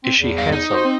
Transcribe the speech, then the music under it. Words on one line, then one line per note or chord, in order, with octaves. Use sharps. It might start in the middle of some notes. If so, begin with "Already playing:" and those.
Is she handsome?
C4
E2
G2 F5
D#4
F#4 C5
C4